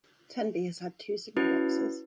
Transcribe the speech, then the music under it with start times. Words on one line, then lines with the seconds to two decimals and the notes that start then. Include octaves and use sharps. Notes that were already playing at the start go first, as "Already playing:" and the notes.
Tenby has had two signal boxes.
1.37 C#4 E4 F#4 B4